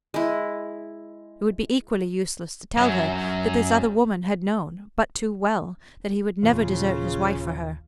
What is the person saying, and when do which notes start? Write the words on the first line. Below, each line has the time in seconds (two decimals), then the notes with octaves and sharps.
It would be equally useless to tell her that this other woman had known, but too well, that he would never desert his wife for her.
0.14 G#3 E4
2.77 F#2 F#3
6.43 D#1 A#2 C#3 E3 F4